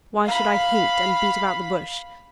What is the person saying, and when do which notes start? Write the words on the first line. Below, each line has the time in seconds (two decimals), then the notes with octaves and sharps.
Why should I hint, and beat about the bush?
0.24 F5 B5